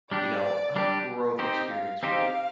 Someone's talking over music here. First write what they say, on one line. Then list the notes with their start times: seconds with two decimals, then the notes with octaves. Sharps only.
you know, a growth experience for you.
0.11 G3 D4 G4 D5
0.76 G3 D4 G4
1.39 C4 D#4 G4 C5 D#5
1.71 F5
2.03 C4 D#4 G4 C5 F5